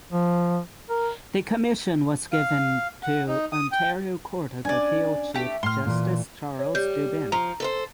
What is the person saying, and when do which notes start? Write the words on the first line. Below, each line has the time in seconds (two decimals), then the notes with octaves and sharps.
The commission was given to Ontario Court of Appeal Chief Justice Charles Dubin.
0.11 F3
0.89 A#4
2.33 F5
3.03 F#5
3.28 D#4
3.52 D#6
3.72 G5
4.65 C#4 D4 D5 G#5
5.34 A3 G4
5.63 A2 C6 F6
5.86 A#2 E3
6.59 C#5
6.75 G3 G6
7.32 F3 A#5
7.60 A4 B4 C5